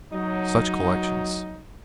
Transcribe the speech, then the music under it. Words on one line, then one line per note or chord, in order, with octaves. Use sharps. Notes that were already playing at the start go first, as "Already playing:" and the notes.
Such collections!
F#3 D#4